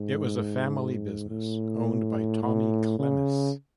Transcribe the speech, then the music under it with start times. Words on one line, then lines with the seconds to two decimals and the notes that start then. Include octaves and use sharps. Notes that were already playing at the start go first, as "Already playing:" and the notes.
It was a family business owned by Tommy Klemis.
Already playing: G#2
1.30 A2
2.43 A2
2.99 C#3